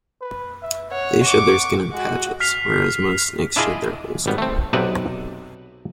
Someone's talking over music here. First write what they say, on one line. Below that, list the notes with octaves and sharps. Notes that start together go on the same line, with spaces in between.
They shed their skin in patches, whereas most snakes shed their whole skin.
B4
E5
C#5 F#5
C#6 D6
G#3 F#4
F6 B6 C7 F7
D4 E4 F4 G#4 D5 D#5
G#1 G3 B3
A3 C4
B1 C3 D#4 B4 D5 E5